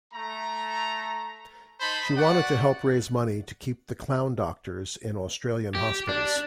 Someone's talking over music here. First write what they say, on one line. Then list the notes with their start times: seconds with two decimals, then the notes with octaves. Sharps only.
She wanted to help raise money to keep The Clown Doctors in Australian hospitals.
0.13 A3 A#5
1.80 D#4 C5 A5 B5
2.16 F#4 D5 F#5
5.75 G4
6.09 D4